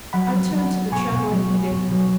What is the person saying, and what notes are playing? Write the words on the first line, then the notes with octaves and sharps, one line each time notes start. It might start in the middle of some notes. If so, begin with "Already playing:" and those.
I turned to the trembling Edith.
F#3 F#5 B5
F#3
F#3
F#3
B2 G#5 C#6
B2
F#3
F#3
B2
F#3